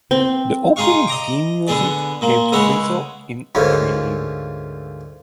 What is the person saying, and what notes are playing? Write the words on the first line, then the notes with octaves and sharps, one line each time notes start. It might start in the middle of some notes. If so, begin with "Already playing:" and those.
The opening theme music came to Frizzell in a dream.
C4
D#4 F4 G#4 F5 C#6
D#5 A#5 D6
D3 B3 G#4 D5
A#2 A#3
C#2 G#3 E4 C#5 F#5
D2 G#2 A3 A#3 C#4